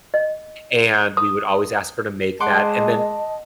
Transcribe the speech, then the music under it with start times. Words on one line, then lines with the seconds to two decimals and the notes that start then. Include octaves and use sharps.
and we would always ask her to make that, and then
0.14 D#5
1.17 D#6
2.40 G#3 D#5 F#5 A5 C6 D6